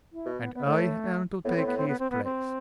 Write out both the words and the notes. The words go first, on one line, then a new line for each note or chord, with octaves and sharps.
"And I am to take his place."
E4
B2
B3
B3
A2 A3
A2 B3
C4
B3
C4
B3
C4
B3
C4